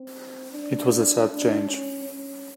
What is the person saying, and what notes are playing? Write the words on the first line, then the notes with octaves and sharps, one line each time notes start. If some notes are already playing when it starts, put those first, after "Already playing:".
It was a sad change.
Already playing: C4
D4
D4
C#4
C#4